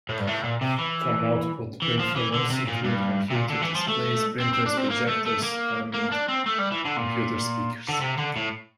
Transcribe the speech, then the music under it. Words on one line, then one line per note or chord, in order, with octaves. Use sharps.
Common output peripherals include computer displays, printers, projectors, and computer speakers.
A2
G2
A2
A#2
C3
E3
E3
F3
E3
D3
C3
A#2
G2
C3
A#2
D3
E3
F3
A3
C4
C4
D4
C4
A#3
A3
A3
A#3
A#3
D4
C4
A3
G3
E3
D3
A#2
D3
C3
D3
A2